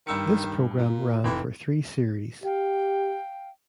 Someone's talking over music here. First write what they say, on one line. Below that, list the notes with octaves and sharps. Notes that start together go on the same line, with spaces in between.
This programme ran for three series.
G2 D#3 E6 C#7
A#2
F1 E3 G5
G4 F5 G5